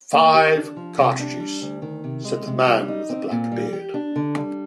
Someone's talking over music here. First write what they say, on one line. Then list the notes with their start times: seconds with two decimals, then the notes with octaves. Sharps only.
"Five cartridges," said the man with the black beard.
0.13 A#3
0.34 G4
0.55 D4
0.77 F3
0.98 C3
1.19 D4
1.40 G3
1.61 D2
1.82 D#3
2.04 C3
2.24 G#3
2.47 C3
2.67 G3
2.88 D#4
3.10 C4
3.31 A#2
3.52 G3
3.73 G4
3.94 D4
4.16 D3
4.37 G3